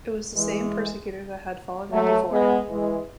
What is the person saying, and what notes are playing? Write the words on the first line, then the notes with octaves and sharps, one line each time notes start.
It was the same persecutor that had followed him before.
E3 G#3
F#3 A3
G#3 B3
E3 G#3